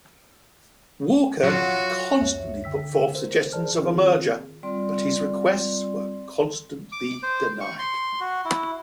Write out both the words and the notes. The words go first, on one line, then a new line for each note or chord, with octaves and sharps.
Walker constantly put forth suggestions of a merger, but his requests were constantly denied.
F#3 F4 F#4
C#2 F#2 C#5 E5
D3 G5 E6 B6
A#4 C5
G#4 A#4 C5 D5 A5 F6
D#3 C4 F4 G#4
G3 C4 F4 D5 C6
D6
C5
C#6
C6
F#4
E4